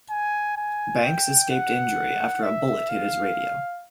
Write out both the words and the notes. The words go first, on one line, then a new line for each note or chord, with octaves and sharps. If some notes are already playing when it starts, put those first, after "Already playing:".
Banks escaped injury after a bullet hit his radio.
G#5
G#5
G5
F#5
E5
F5